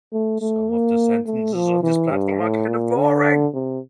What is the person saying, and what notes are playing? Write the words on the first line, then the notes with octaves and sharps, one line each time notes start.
Some of the sentences on this platform are kind of boring.
A3
A3
A#3
A3
F3
E3
G2
A2
A#2
D3
C3